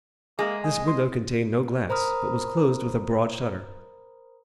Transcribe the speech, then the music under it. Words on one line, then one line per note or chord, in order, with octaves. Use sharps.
This window contained no glass, but was closed with a broad shutter.
G#3 A#3
D#5 G#5
C6
A#4 C5 A#5 B5 D#6 F6